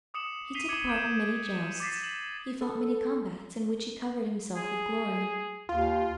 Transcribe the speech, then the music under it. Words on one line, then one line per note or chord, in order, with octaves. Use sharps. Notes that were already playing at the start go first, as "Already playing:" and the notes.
He took part in many justs; he fought many combats, in which he covered himself with glory.
D6 D#6 C#7 E7 F#7
B6 C7 D#7 F7 G7
D6 D#6 G#6 C#7 E7 F#7
D6 D#6 G6 G#6 D7 E7
D6 A6 B6 C7
F#7
A4
G#4
D#2 F4